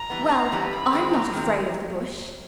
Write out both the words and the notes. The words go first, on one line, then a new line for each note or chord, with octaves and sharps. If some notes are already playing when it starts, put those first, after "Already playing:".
"Well, I'm not afraid of the Bush."
Already playing: A#5
E3 G3 B3
A2
E3 G3 B3
F#2 B5
D#3 G#3 C4
F#2 A#5
D#3 G#3 C4